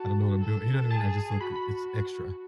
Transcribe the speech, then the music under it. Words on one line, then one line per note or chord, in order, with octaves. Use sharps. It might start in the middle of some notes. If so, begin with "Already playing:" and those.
I don't know what I'm doing, you know what I mean? I just look it's extra.
Already playing: F#4 A5
A4
G#4 A5
F#4 B5
B5